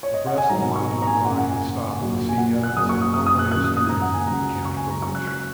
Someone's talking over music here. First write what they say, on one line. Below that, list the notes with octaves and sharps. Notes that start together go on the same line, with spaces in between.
Abreast the Monument Rock we stopped, and seeing Evans a long way astern, I camped for lunch.
C#5
D#5
F#5
G#5
G#1 G#2 F#3 A#5
C#6
A#5
A#5
G#5
F#1 F#2 C#3 F#5
F#5
G#5
A#1 A#2 F#3
G#5
F#5
F#6
F#1 F#2 C#3 F#3 D#6
C#6
D#6
D#6
D#6
F#6
D#2 C#3 F#3 F#6
D#6
D#6
A#5
F#5
G#5
C#2 C#3 F#3 A#5
C#6
G#5
A#5
C#2 C#3 F#3 C#6
F#6
F#6